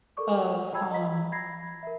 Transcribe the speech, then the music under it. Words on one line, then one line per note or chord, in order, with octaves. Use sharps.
of, um
A4 A#4 D5 C#6 D6
D5 G5 A5 B5 E6 G#6
D#5 A#5 B6
B5 G#6 A#6 C7
A#4 E5